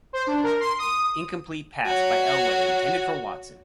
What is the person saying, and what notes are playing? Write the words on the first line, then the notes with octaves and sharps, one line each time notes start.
Incomplete pass by Elway, intended for Watson.
C5
D4
A#4
C6
D#6
F#4 C#5